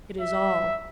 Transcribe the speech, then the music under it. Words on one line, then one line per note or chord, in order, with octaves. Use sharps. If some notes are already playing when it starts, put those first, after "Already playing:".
It is all.
E5